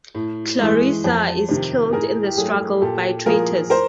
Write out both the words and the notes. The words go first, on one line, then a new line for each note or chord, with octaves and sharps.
Clarissa is killed in the struggle by traitors.
A2
E3 G#3
F2
C3 D#3
A2 G#4 A#4
G4
F#3 A3 G#4
A#2 G4 A4
F3 A#3 G#4 A#4
A#4 C5